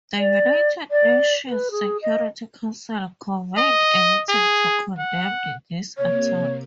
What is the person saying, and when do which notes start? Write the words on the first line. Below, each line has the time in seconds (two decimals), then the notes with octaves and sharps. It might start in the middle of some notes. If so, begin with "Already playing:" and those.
The United Nations Security Council convened a meeting to condemn this attack.
0.18 D5
0.91 D5
1.47 B4
1.71 G#4
2.02 D#5
3.57 D#5
4.29 G#4
4.98 F#5
5.98 C3 A#3 C#5